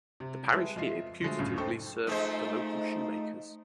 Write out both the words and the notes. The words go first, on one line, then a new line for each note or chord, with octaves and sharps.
The parish here putatively served the local shoemakers.
C3
G3 G#3 E4 B4 A5
F2 F4 D#5 E5 C7
D3 F3 F#3 G#3 A3
C#2 F#2 A2 C#3
D#4 A4 C5 G5 C6 C#6
F3 G#3 A3 D#4 C5